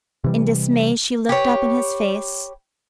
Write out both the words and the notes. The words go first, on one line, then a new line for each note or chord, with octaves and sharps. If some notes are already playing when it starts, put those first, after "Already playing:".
In dismay she looked up in his face.
C3 E3 G3
G4 B4 C#5